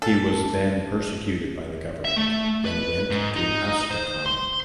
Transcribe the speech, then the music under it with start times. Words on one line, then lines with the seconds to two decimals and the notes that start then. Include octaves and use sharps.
He was then persecuted by the government and went to Astrakhan.
0.02 A4
2.05 E5
2.16 A3
2.65 B4
3.10 G#2
3.36 D#4
3.91 C5
4.26 C6